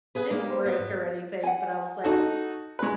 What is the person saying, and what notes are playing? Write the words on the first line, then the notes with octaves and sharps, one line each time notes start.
It didn't break or anything, but I was like,
B3 G#4 B4
G3 G#3 A#3
C5
B3
E2 G#2
F#5 G#5
D#4 F#4 A4
G#3 B4